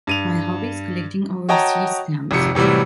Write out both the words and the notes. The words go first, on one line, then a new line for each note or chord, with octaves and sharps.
My hobby is collecting overseas stamps.
G2 D#7 F7
F#4 C#5 D#5 G5 A5 A#5
G#1 F2 C3 C#7
A2 C3 E3 F#3 G3